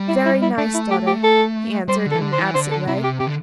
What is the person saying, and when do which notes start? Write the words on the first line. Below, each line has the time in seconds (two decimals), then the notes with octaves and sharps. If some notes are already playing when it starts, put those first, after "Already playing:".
"Very nice, daughter," he answered, in an absent way.
Already playing: G3
0.08 E4
0.25 E4
0.42 E4
0.57 A3 D4
0.74 E4
0.90 G4
1.06 G4
1.23 A4
1.88 G3 C5
2.06 D3
2.11 A4
2.15 E3
2.22 D3
2.32 C5
2.38 E3
2.54 D3 C5
2.71 A4
2.87 C3 E4
3.03 G4
3.19 C3 G4
3.27 D3